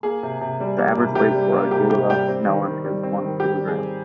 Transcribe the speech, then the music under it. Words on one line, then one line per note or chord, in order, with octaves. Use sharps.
The average weight for a Galia melon is one kilogram.
A#3 G#4
C3
C3
G3
A#3
C3
C3 G4
G3
A#3
C3 G4
C3 G4
G3 G4
C4
D#3
D#3
G3
C4
D#3
D#3 G4
G3
G#4
C4